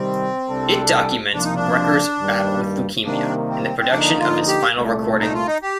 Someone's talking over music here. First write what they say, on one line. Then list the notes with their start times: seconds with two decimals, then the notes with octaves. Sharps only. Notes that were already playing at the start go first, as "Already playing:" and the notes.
It documents Brecker's battle with leukemia, and the production of his final recording.
Already playing: C3 D#3 G3 C4
0.48 C2 C3 G3 D4 A4
1.33 C2 C3 F3 A#3 D4 F4
1.44 D#4
1.55 D4
2.20 G2 D#3 G3 A#3
3.05 C3 D#3 G3 A#3 D4
3.48 C4
3.79 C4
3.90 D3 F3 A#3 D4 D#4
4.19 F4
4.47 G4
4.76 C2 A#2 A3
5.19 D#4
5.33 F4
5.47 D#4
5.62 G4